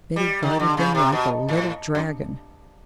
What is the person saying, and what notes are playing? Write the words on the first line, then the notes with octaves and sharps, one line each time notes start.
Betty guarded them like a little dragon.
G3
D#3
D3
C#3
C3
B2
A2
F#2